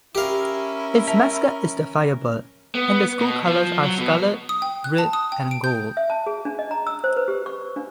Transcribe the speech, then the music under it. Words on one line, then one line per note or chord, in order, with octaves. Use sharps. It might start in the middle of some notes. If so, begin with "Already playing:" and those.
Its mascot is the firebird, and the school colors are scarlet, red, and gold.
C#4 E4 G4 A#4 F5
E5 A5
B3
B2
F3
F#3
B2
D#6
G5
F#6
A5
D#6
G5
D7
G6
E5
A5
G#4
D4
D#5
A#5
E6
C5
B4
G4
C#6
D4